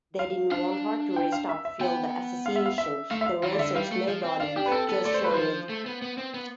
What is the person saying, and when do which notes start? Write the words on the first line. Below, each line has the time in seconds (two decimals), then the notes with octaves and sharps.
They didn't want her to race Top Fuel, the association, the racers, nobody...Just Shirley.
0.19 F5
0.52 D4 F5
1.16 G5
1.32 F5
1.49 E5
1.65 E5
1.81 B3 G5
2.46 F5
2.56 E5
2.66 F5
2.78 E5
3.11 A3 F5
3.21 E5
3.26 F5
3.43 E3 F5
3.53 D5
3.59 D3 E5
3.75 G3 F5
3.92 A3
4.08 F3
4.24 C4
4.40 D4 F5
4.56 D4 G4
4.66 B3 B4
4.72 C4 A4
4.89 B3 A4
5.05 A3 D5
5.14 C5
5.24 B4
5.31 G3
5.33 F3 C5
5.69 A3
5.86 B3
6.02 B3
6.18 C4
6.34 B3